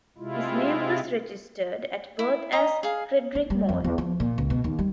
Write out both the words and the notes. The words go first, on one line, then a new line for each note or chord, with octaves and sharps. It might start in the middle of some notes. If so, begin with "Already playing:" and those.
His name was registered at birth as Frederic Morley.
C3 G#3 E4 F4
E4
D#5 A#5 B5
G#4 F5
D4
G3
F2
E2
F3
A#2
C#2
B2
D#2
G3